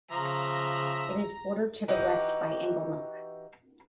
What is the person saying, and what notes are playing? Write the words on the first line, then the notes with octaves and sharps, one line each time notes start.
It is bordered to the west by Inglenook.
C#3 F3 E5 A#5
E3 D#4 F#4 G4